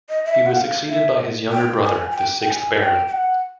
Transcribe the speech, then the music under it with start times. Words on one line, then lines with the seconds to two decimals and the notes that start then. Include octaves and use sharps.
He was succeeded by his younger brother, the sixth Baron.
0.09 D#5
0.25 E5
0.46 F#5
0.57 F5
0.89 E5
1.52 G5
1.85 G#5
2.11 G#5
2.16 G5
2.40 G5
2.49 G#5
2.81 G5
3.07 G5
3.13 F#5